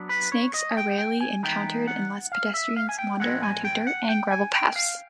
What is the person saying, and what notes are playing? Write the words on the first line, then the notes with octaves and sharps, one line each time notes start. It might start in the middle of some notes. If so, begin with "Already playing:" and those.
Snakes are rarely encountered unless pedestrians wander onto dirt and gravel paths.
Already playing: F#3 B3 D4
B4
C#5
D#5
G5
G5
G#5
E3 G#3 B3 D#4 G5
F#5
F5
E5
F5
G#5
G5
A2 F3 G#3 C4 F#5
G#5
G5
F#5
G5
G#5
G5
F5